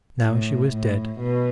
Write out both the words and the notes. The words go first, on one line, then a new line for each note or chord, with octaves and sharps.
Now she was dead.
A2
A2
B2